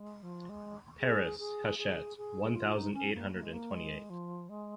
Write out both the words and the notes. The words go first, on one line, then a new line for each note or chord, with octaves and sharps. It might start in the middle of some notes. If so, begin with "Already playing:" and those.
Paris, Hachette, one thousand eight hundred and twenty-eight.
Already playing: G#3
F3
G#3
G#4
G#4
G#4
G#4
F4
D#4
C#4
A#3
A#3
G#3
A#3
G#3
F3
G#3